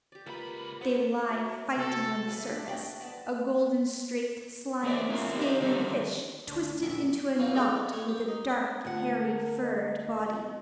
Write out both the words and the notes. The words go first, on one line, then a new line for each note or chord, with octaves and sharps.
They lie fighting on the surface--a golden-streaked, slimy, scaly fish twisted into a knot with a dark, hairy, furred body!
G4 D5
C#2 A#3 F4 B4 B5
B3 C4 F#5 C6
F#4 C#5 E5
C3 F#4 A4
A4 B4 D5 E5 F5 G#5
F3 D4 G4
A3 D4 D5 D#5 G5
F3 B3 D5 A5
A#3 C4 G#4 C#5 D5 E5
C#4 E4 F4 A#4 E5
C4 D#4 G4 D#5
D3 D#3 F#3 G3 A3 D#4
D2 D4
A#1 F#2 D#5 E5
E3 F#3 C4 F4
E2 D#4 A4 D5 E5 F5
A3 C#5
G4
D#4
D2 F4 F#5
A#4
D#5